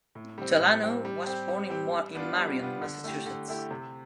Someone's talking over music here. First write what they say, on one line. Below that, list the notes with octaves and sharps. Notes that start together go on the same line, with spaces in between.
Delano was born in Marion, Massachusetts.
A2
G3 C4
A2
G3 C4
G3
C4 G4
G3
C4 G4
G3
B3 D4 F4
G3
B3 D4 F4
D3
A3 E4 G4
D3
A3 E4 G4
C3